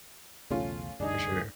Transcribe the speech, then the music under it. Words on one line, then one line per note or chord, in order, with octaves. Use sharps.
For sure.
B1 E2 C#3 A3 C#4 F4
F1 D2 G2 D4 D#4 G#4